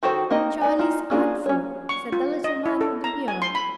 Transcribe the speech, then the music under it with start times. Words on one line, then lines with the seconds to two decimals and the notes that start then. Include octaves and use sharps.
"Charlie's artful," said the little man with the beard.
0.03 D#3 F#4 G4 A4 C5
0.31 A#3 C4 D#4 D#5
0.61 D#4 D5 G#5
0.79 D#4 F4
1.11 A#3 C#4 D4 F4 G#4
1.46 C#4 C#5
1.89 C#6
2.12 F4
2.44 D#5
2.66 E4
2.81 A4
3.04 A#5
3.28 G#5
3.42 C6
3.55 B5